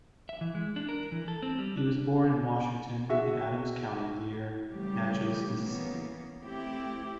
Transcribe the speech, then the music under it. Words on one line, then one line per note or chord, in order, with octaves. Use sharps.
He was born in Washington in Adams County near Natchez, Mississippi.
E5
E3
G#3
D4
A#4
E3
A4
C4
G3
D4
F#4 G#4 E5
C#3 E3 F#3 G3 A3 G4
C#3 E3 A#3 B3
A3 C4 E4 G4